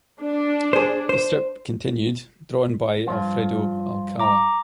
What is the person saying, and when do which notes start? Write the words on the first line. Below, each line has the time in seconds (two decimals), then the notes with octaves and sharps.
The strip continued, drawn by Alfredo Alcala.
0.21 D4
0.73 G#4 C5
1.09 C5
3.07 G2 F3 F4
4.20 A#5 D6